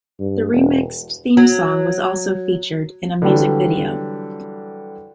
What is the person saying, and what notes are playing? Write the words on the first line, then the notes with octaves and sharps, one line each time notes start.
The remixed theme song was also featured in a music video.
G2
E1
F#3
D3 E3 F#3 G3